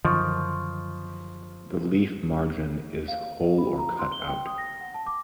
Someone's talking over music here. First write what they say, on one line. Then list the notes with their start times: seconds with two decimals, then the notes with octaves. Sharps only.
The leaf margin is whole or cut out.
0.05 F#2 D3 D#3 F3 D#5 C#6 F6
3.08 F5
3.40 D#5
3.58 B5
3.78 A#5
3.99 C6
4.12 G7
4.28 G5
4.46 D#6
4.58 A#6
4.81 F#5
4.94 A5
5.06 D6